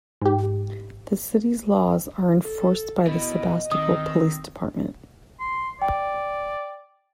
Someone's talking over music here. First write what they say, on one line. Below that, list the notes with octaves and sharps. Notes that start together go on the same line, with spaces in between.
The city's laws are enforced by the Sebastopol Police Department.
G#2 G4
A4
B2 E4 D#5
D#3 C4 D#6
C6
D5 G5